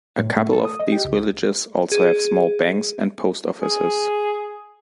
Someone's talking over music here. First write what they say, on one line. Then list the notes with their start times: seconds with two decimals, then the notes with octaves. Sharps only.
A couple of these villages also have small banks and post offices.
0.19 A2
0.37 A3
0.53 A4
0.65 D#6
0.80 D#5
0.92 G4
1.05 C#2
1.92 G#4
3.62 G#4